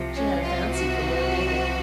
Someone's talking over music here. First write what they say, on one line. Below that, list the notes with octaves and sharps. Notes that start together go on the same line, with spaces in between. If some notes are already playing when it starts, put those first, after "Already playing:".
She had a fancy for Lord David.
Already playing: C2 C3 F3
C#4
F4
F#4